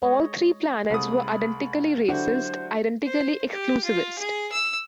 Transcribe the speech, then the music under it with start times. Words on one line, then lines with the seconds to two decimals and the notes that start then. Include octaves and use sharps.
All three planets were identically racist, identically exclusivist.
0.02 G#3 C#5 D#5
0.90 C2 G#3 A3 B5 D#6
2.08 D3 F#3 E4 F#4 G4 C5
3.05 C5
3.50 G4
3.84 F4
4.18 G#4
4.52 E6